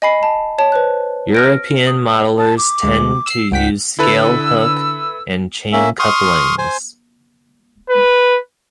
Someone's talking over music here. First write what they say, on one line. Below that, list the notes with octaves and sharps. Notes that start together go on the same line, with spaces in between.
European modellers tend to use scale hook and chain couplings.
D#5 G#5 B5 C7
A5
C#5 A5
B4 C5 F#6
F6 A#6 D7
D#6
A5
D6
D2 G#3
E6 C7
C#2 F#5 G5 B6
D3 E4 A4 B4 E6
A#3 C#4 E5
C6 C#6 D#6 F6
C5 G#5
B4